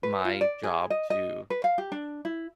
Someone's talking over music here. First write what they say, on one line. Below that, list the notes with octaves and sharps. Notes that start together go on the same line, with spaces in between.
my job to
B4
F4
D5
G#4
D#5
D#5
B4
F5
G4
D4
E4